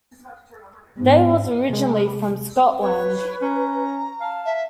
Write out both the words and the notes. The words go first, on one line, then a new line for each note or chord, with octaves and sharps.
Dave was originally from Scotland.
G#2 B3
C3 G#3
B4 C#5
C#4 A#5
F5 A5
E5